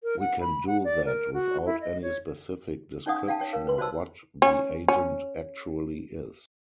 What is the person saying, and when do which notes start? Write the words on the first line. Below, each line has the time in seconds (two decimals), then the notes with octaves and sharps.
We can do that without any specific description of what the agent actually is.
0.03 A#4
0.20 F#5
0.40 B5
0.67 F#5
0.84 D5
1.06 A#4
1.34 F#4
1.66 E4
1.81 D#5
2.02 C#5
3.06 C#4 D#4 D5 F5 F#5 D#6
3.27 D5 F5 G5 A5
3.39 C#5 G5
3.53 A#4 F5
3.67 B4 C6
3.78 F#4 C5 C#5 D#5 A5 E6
4.42 C#4
4.88 C#4